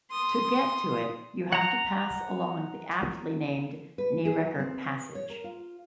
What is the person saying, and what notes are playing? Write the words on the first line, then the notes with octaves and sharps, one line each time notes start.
To get to it you have to pass along the aptly named Knee-wrecker Passage.
C6 D#6
F#5 A#5
B4
G#4
F#3
C4
C#5
A#4
F4